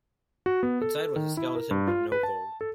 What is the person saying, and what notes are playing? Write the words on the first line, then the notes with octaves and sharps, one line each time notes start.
Inside was a skeleton but no gold.
F#4
B3
A4
D#3
E4
A#4
G2
F4
B4
A5
A4